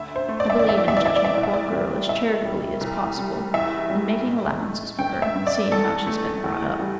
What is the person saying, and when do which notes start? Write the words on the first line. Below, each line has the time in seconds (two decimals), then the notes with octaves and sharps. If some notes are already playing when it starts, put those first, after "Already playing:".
I believe in judging the poor girl as charitably as possible and making allowances for her, seeing how she's been brought up.
Already playing: D2 E5
0.16 C5
0.28 A3
0.40 D5
0.50 E5
0.59 D5
0.64 E2 E5
0.78 D5
0.88 E5
0.97 D5
1.01 E3 E5
1.16 D5
1.25 E5
1.35 C2 D5
1.43 E5
1.54 D5
1.72 G3
2.09 A1 E5
2.45 G3
2.81 C2
3.18 G3
3.54 E2 E5
3.90 G3
4.27 A1
4.62 A3
4.99 G2 G5
5.22 E5
5.36 G2
5.47 D5
5.71 E2 A4
6.07 A3
6.44 E2
6.80 G3